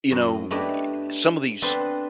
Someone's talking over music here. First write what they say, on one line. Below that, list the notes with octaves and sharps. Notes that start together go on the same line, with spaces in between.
you know, ye some of these
F#2
A3 B3 D4 E4 G4 D#5
B3 C4 D4 A4 B4 C5